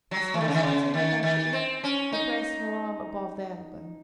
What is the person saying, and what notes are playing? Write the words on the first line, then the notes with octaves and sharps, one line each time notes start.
As he was putting Natasha in he pressed her arm above the elbow.
F#3
E3
D#3
C#3
D#3
C#3
D#3
D#3
C4
C#4
D#4